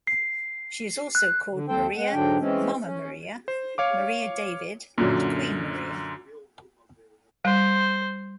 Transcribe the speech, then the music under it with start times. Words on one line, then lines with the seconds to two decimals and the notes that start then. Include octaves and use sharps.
She is also called, Maria, Mama Maria, Maria David, and Queen Maria.
0.07 C7
1.15 F#6
1.51 D3
1.69 D#2 C4 A4 C5 G5
1.97 G#3 F#5
2.13 G#2 D3 F#3 D4 G5
2.40 E3 G#3 C4 C#4
2.83 C#4
3.48 C5
3.78 C#5 F5 D6
4.98 F#2 A#2 D3 F#3
7.45 G3 C5